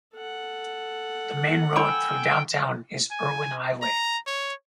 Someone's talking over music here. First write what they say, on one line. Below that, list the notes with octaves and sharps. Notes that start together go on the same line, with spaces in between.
The main road through downtown is Erwin Highway.
A4 F#5
D4 G5 G#5 B5 D6 E6
G#5
A#5
C#5